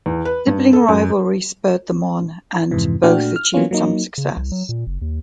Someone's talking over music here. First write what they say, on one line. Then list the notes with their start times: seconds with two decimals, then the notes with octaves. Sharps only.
Sibling rivalry spurred them on, and both achieved some success.
0.06 E2
0.25 B4
0.47 G2
0.73 A4
0.88 F#2
2.71 F2 G#2 C3 E3
3.03 A#2 A3 D4 F#4 G5 F6
3.36 F6
3.54 E3 F#3 A#3 B3 C#4 F4
3.71 F#3 A#3 D#4
4.18 C#3
4.37 C2
4.52 F#3
4.69 A#2
4.87 F#1
5.02 D#2